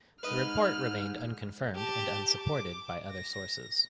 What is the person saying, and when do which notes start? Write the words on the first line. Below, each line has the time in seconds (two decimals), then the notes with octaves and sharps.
The report remained unconfirmed and unsupported by other sources.
0.23 G#2 B4 D#5 F6
1.75 G4 A5
2.41 D6
3.11 A#6